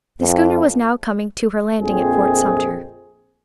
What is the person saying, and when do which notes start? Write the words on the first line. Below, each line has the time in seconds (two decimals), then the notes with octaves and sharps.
The schooner was now coming to her landing at Fort Sumter.
0.20 F2
1.81 A#1 F2 C4 G#4